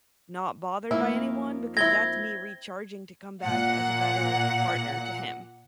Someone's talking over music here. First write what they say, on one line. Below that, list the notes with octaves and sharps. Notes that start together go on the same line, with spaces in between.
not bothered by anyone because that's me recharging to come back as a better partner to him.
F2 D#3 A#3 E4
C4 E4 G#6 A#6 G7
A#2 F#5